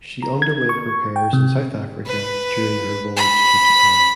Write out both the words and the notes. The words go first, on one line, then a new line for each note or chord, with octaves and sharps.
She underwent repairs in South Africa during her voyage to Japan.
A#5
G#6
C#6
G5
C3
B4
B5